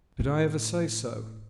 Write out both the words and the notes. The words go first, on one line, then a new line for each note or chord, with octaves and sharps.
"Did I ever say so?"
A2